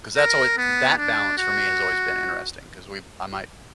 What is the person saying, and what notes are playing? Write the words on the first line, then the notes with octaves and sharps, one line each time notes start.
'Cause that's alway th that balance for me, has always been interesting, 'cause we I might
A#4
B3
D4
F#4